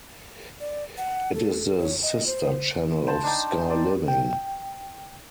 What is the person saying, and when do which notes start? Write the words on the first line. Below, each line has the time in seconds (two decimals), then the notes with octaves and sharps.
It is the sister channel of Sky Living.
0.60 D5
0.97 F#5
1.34 A4
1.79 C#5
2.02 D#5
2.26 C5
3.07 C5 A5 B5
3.24 D4 D#4 G5
3.70 C4 D5
4.08 G5